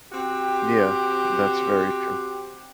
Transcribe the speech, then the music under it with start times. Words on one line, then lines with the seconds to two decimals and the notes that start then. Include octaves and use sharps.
Yeah, that's very true.
0.12 C4 F#4 G4